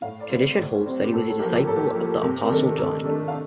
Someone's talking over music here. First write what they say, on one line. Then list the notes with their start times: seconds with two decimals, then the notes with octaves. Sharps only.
Tradition holds that he was a disciple of the Apostle John.
0.02 A2 F5
0.20 D5
0.29 G3 C4
0.38 D5
0.57 A2
0.85 G3 C4
1.04 G4
1.12 A2 A4
1.28 A4
1.39 F3 A#3 G4
1.67 A2 A4
1.76 G4
1.87 A4
1.95 F3 A#3
2.23 C3 G4
2.42 A#4
2.50 D#3 A3 D4 A4
2.77 C3 A4
3.05 D#3 A3 D4
3.28 F5